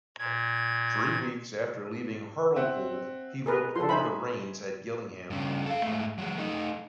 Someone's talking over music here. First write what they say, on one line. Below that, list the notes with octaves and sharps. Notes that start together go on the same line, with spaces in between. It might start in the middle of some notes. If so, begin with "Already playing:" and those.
Three weeks after leaving Hartlepool, he took over the reins at Gillingham.
A#2 G#6
C4 E5 F#5
G#4 A#4 B4
F3 A4 C6
D#4 C5 E5 G#5 B5
G2 C#3
A4 F5
G#2 A3
F#3 G#3
A3 D#4